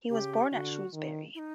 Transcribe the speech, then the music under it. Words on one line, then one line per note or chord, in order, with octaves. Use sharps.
He was born at Shrewsbury.
C#3 G4
D3 F#4
D#3
E4
D#4